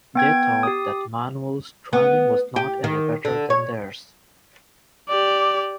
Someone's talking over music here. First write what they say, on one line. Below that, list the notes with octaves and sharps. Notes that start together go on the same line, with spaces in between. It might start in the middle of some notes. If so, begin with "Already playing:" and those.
They thought that Manuel's driving was not any better than theirs.
B3 G5 G#6
G4 D#6
B3
G4
D#3
D3
C#5
G4 D5